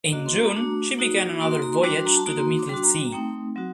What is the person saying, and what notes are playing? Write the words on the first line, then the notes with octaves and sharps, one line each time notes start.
In June, she began another voyage to the middle sea.
A#3 D4 F#4 D#5
C6
A#5
A3 D4 F#4
A#3 D#4 F#4
A#3 D#4 F#4 C6
C6
A#5
C6
G3 D4 F#4 D6
C6
A#5
A5
A#3 D#4 F#4 A#5
C6
C6
D6
G3 D4 F#4 C6
A#5
A#5
A3 C4 D#4 G5
F#3 C4 D#4 F#4